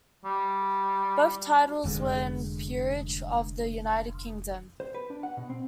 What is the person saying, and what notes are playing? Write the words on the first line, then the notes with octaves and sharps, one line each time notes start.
Both titles were in the Peerage of the United Kingdom.
G3
F1 F2 D3 G#3
C5
B4
D4
F#5
B2
C4